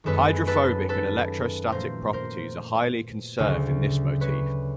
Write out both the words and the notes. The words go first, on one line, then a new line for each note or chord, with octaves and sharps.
Hydrophobic and electrostatic properties are highly conserved in this motif.
F#2 D#3 G#3 B3 A4 B4
A4 B4
A4 B4
A#2 F3 A3 A#4 C5
A#4 C5
D2 C#3 F#3
B4 C#5